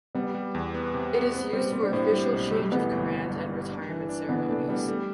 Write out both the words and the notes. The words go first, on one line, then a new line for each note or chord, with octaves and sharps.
It is used for official change-of-command and retirement ceremonies.
G3 B3
G3
E2
B3
C3
B3
B3 C4
G3 C4
G3 C4
D4
A2 C4
G3
B1
G3 A3
E3 B3
G1
G1
G2
G3
D4
E3
D4
E3 B3
A3 D4
G3 B3
G3 A3